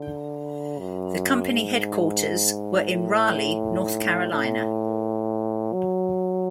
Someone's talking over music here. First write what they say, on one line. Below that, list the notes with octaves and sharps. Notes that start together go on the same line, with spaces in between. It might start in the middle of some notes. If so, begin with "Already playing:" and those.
The company headquarters were in Raleigh, North Carolina.
Already playing: D3
F#2
G#2
A2
A2
F#3